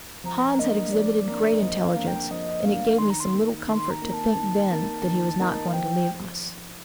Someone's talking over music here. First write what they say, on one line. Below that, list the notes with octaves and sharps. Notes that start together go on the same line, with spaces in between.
Hans had exhibited great intelligence, and it gave me some little comfort to think then that he was not going to leave us.
F3 A#5
A#3 D4 D#5
F3 D5
A#3 D4
F3 D#5
F5
A#3 D4
G5
F3 D#5
A#3 D4 F5
D#3 C6
A#5
C6
A#3 D#4 A#4
D#3 C6
A#5
A#3 D#4 A#4
A5
D#3
A#3 D#4 A#4
D#3
A#3 D#4 A#4
F5
F3 G5